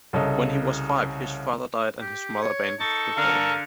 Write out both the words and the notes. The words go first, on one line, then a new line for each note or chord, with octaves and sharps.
When he was five, his father died, and his mother abandoned the family.
C2 C#3 A4 D#5
G4
C#5
D#4 A4 C#6 A6
D3 A#4 F5